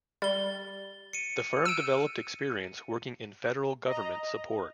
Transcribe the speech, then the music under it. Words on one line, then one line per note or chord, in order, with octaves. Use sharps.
The firm developed experience working in federal government support.
G3 A6 G7
C#7 D#7
E6 D7 D#7
D#5 A#5